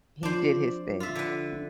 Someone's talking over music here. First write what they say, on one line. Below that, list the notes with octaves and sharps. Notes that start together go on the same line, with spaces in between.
he did his thing,
F3 D4 C5
F4 E5
D3 B4
D4